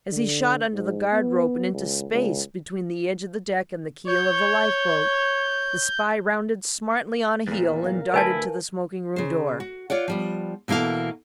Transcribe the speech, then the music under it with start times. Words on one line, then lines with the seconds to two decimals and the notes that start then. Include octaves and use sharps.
As he shot under the guard rope and into space between the edge of the deck and the keel of the lifeboat, the spy rounded smartly on a heel and darted to the smoking-room door.
0.12 D3
0.73 G#2
1.13 B3
1.73 C#2
2.10 C#2
4.07 C#5 G6
7.48 E2 A#2
7.84 A#4 F5
8.14 D2 E4 B4 G#5 A5
9.16 C#3 C5
9.60 F#4
9.90 F4 C#5 D5 F#5
10.08 F3 G3 B3
10.68 B2 E3 A#3 A4 F5